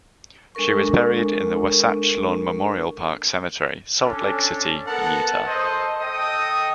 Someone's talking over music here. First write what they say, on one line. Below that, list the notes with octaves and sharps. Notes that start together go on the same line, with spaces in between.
She was buried in the Wasatch Lawn Memorial Park Cemetery, Salt Lake City, Utah.
G#3 D4 A4 A#4 C#6
C#4 D4 A4
B3 A4 A#4 F#5
A4 C5 D#5
A4 D#5 G5 D#6